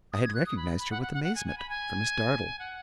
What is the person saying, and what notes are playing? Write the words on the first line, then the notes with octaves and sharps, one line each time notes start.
I had recognized her with amazement, for Miss Dartle.
D#6
G#6
F#6
D#6
B5
B5
F#5
F#5
F#5
F#5
G#5
G#5
B5
G#5
F#5